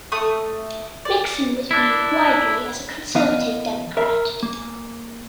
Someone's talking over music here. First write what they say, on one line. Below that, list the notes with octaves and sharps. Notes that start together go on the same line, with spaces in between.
Mixson was viewed widely as a conservative Democrat.
A3 C#6 D#6
D5
D4 E4
E3 B3 D#5 F5
A#4 E5
A#3